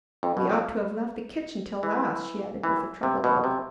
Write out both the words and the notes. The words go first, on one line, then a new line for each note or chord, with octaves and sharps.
"We ought to have left the kitchen till last," she added with a troubled look.
F2
B2
F2
E3
E3
C3
B2
C3